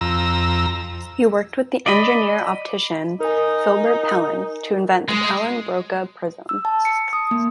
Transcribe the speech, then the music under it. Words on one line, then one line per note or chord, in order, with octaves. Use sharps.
He worked with the engineer-optician Philibert Pellin to invent the Pellin-Broca prism.
F2 A#5 E6
D5 D#5 B5
D#4 A#4 G#5
G#3
E6
A5
C#7
D#6
A#3